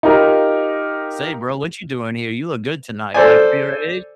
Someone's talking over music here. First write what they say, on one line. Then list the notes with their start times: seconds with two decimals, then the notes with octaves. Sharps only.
"Say, bro, what you doing here? You look good tonight. Like" Right?
0.03 D#4 F4 G4 A#4
3.14 A4 C5 D5 G#5